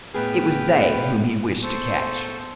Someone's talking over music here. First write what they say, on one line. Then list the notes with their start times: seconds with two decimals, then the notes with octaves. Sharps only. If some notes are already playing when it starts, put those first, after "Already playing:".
It was they whom he wished to catch.
0.14 A2 B3 G#4 B4 G5 F6
1.63 A4 C5 C#6